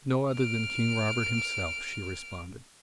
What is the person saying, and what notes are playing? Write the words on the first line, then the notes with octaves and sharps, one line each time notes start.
"No other than King Robert himself," she responded.
F6 D7